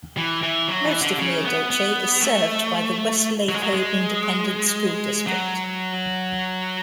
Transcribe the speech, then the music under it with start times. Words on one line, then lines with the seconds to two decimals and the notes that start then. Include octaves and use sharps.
Most of Mila Doce is served by the Weslaco Independent School District.
0.17 E3
0.43 E3
0.68 F#3
0.85 E3
1.02 D3
1.19 C#3
1.45 B3
1.70 B3
2.21 A3
3.49 F#3
3.56 G#3
3.63 F#3
3.74 G#3
5.27 F#3